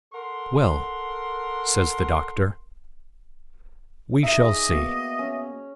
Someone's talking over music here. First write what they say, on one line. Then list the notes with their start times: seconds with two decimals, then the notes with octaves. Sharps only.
"Well," says the doctor, "we shall see."
0.13 A4 A#4 F#5 C6
4.23 D#4 D#5 E5
4.43 G#4 D6
4.70 A#3 B3 F#4
5.19 C#4